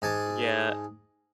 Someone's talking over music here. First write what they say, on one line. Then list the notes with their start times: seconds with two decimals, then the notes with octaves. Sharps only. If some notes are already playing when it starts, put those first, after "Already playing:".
Mm yeah.
0.02 G#2 G#5 A5 D6